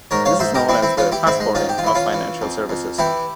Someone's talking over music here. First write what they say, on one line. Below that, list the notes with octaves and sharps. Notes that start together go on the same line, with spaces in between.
This is known as the "passporting" of financial services.
G#2 A#4 C#5
C#5 F5
G#2 C5 E5
G4 A#4
E3 C4 E4
C4 E4
E3 C#4 F4
E4 G4
G#2 C4 E4
G#3
G#2 C#4 F4
G4
F4
E3 E4
C#4 F4
E3
F2
F2
E3 E4 G4